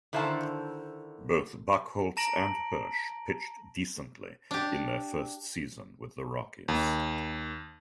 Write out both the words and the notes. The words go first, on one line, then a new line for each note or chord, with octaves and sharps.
Both Buchholz and Hirsh pitched decently in their first season with the Rockies.
D3 D#3 E4 C5 F5 A5
A5 A#5 A#6 D7 F#7
D4 G4
D#2